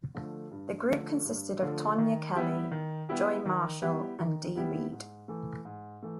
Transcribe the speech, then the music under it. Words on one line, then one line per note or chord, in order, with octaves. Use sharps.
The group consisted of Tonya Kelly, Joi Marshall, and Di Reed.
D3 F3 A3
G2
D3 F3 A3
G2
D3 F3 A3
D#3
G3 B3 E4 G4
D#3
G3 B3 E4 G4
D#3
G3 B3 E4 G4
D#3
G3 B3 E4 G4
G#2
E3 A3
G#2
E3 A3